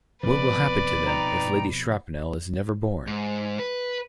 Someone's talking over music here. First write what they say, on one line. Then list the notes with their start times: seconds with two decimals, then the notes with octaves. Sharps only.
What will happen to them if Lady Schrapnell is never born?
0.23 B2 F3 C4 B4 D5
1.04 D#4 G5 A#5
3.07 G#2
3.59 B4